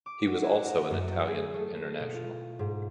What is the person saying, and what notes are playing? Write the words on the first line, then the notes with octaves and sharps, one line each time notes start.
He was also an Italian international.
D6
F#4
E4
A#4
F#2
G6
G#4
A3
C7
B2
F4
G#2